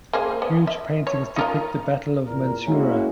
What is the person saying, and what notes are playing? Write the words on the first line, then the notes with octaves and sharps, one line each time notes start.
Huge paintings depict the Battle of Mansoura.
A#3 G#4 C5
B3
E5
C#5
D#4 F4 A#4
E2 A#2 A#4
G#3 A#3 C#4 E4 F#4